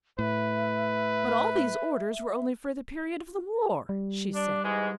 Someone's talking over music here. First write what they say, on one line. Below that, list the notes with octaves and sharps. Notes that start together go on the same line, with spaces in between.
"But all these orders were only for the period of the war," she said.
A2 B4 E5
G3
D4
G#2 E3 G#3